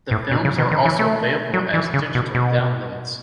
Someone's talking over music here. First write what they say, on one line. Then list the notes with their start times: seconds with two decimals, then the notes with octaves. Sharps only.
The films are also available as digital downloads.
0.11 A2
0.31 B2
0.45 C#3
0.58 D#3
0.71 D#3
0.85 E3
0.99 A3
1.54 F#3
1.74 E3
1.94 C#3
2.15 B2
2.35 B2